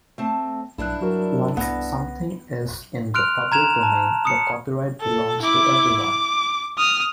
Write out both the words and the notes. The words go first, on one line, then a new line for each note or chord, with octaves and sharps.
Once something is in the public domain, the copyright belongs to everyone.
A3 C4 A5
B1 G2 D4 E4 F#6
F#3 F#4 A#4
C2 B3 A#6
C6 F6 F#6 D7 F7
A#5 G#6 E7 F7
A5
D#6 C#7
A4
E4 D6
D6
D#6 F6